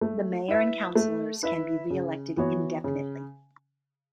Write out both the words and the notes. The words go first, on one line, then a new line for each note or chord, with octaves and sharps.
The mayor and councilors can be reelected indefinitely.
A3
E4 B4 E5
A3
E4 B4 E5
C#3
E3 B3 F#4 C#5
C#3